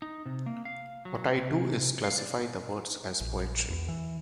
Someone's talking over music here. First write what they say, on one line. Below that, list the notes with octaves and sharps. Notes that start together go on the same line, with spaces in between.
What I do is classify the words as poetry.
D#4
C3
A#3
F5
F#3
C3
F5
D5
A#1
E2
E3